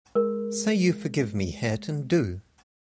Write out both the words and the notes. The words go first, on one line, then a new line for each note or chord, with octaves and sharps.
Say you forgive me, Hareton, do.
G#3 A#4